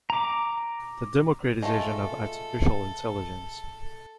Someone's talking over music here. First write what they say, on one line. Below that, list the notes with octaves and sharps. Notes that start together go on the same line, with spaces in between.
The democratization of artificial intelligence.
A#5 D6
G#3 A3 F4 A4